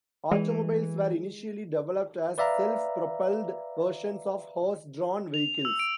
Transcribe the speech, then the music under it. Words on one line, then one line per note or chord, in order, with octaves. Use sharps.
Automobiles were initially developed as self-propelled versions of horse-drawn vehicles.
E3 G#3
B4 D5 E5 F5 A#5
F7
E6
D7